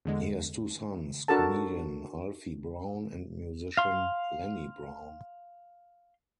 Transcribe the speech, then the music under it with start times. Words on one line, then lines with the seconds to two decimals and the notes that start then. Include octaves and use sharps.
He has two sons, comedian Alfie Brown and musician Lenny Brown.
0.05 E2 D3 G#3
1.28 D4 F#4 A4 A#4 A5
3.77 F5 C6